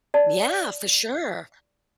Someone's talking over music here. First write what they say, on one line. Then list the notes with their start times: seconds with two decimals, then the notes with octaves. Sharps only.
Yeah, for sure.
0.14 D5 A5